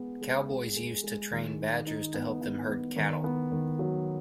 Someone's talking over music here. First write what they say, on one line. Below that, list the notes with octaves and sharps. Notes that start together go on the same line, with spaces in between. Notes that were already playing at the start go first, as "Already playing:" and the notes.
Cowboys used to train badgers to help them herd cattle.
Already playing: G#3 B3
G#3
G#3
G#3
G#3
D#3
D#4
D#4
B3
B3
B3
D#3
B3
D#3
F#3